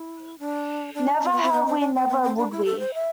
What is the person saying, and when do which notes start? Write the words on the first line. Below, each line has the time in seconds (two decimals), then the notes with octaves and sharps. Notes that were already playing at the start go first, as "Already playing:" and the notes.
Never have we -- never would we.
Already playing: E4
0.39 D4
0.94 D4
1.23 C4
1.32 B3
1.42 C4
1.52 B3
1.66 C4
1.80 D4
1.94 C4
2.08 B3
2.22 C4
2.37 D4
2.51 E4
2.65 A4
2.79 C5
2.94 E5